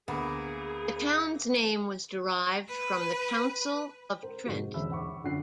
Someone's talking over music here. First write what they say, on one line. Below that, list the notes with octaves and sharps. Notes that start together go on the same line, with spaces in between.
The town's name was derived from the Council of Trent.
D2 A#3 B3 G#4 B5
B4
A#4 C5
F1 G#2 F#4
E1 C5 E5 B5 E6
F#5 B5 C#6 D6
F#2 D3 F4 F#5 F#6 C7